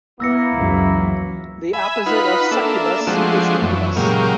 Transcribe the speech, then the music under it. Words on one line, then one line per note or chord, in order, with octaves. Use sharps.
The opposite of "succubous" is incubous.
A#3 B3 E4 E6 A#6 C#7
C#2 F#2 E3 F#3
E5 G#5 B5
D#4 F4 B4 F#5 B5
A#3 D4 A4 E5
F3 G#3 A3 C4 D4 F#4
F#2 E3
A#2 C#3 F#3 G#3 A#3 G4